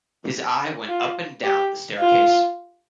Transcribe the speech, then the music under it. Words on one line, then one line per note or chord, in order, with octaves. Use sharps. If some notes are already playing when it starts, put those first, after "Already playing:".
His eye went up and down the staircase.
F4
G4
F4